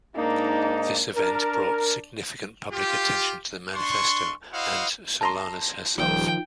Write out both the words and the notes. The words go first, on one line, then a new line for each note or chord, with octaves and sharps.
This event brought significant public attention to the "Manifesto" and Solanas herself.
G#2 A#3 D4 D#4
D4 A#4
F4 G4
D4 C6 C#6
E4 F#4 C5 D#5 F5 F#5
A5 A#5 C6
D#1 D#3 F3 G5